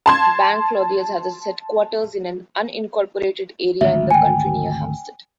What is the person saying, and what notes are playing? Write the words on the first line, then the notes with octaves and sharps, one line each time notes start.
Bank Clothiers has its headquarters in an unincorporated area in the county, near Hampstead.
A5 C6 G#6
G#1 D2 E5
G5 G#5